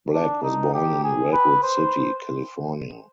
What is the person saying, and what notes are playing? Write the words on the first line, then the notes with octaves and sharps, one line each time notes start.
Black was born in Redwood City, California.
D4
D#4
G4
G#4
B4
C5